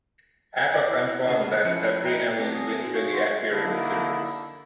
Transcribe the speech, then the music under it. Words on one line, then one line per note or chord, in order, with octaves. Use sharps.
Apa confirmed that Sabrina will eventually appear in the series.
D5
E4
C#3 B3
F3 C#4 E4 C#7
D#5 G5 A#5
A3 C4 G4 B4 A5 A#6
G#5 D#6 G#6
A4 E5
D#4 F#4
F5 C#6 G6
D4 G4 F#5 C6 C#6
D3 A#3 D#4 E4 A4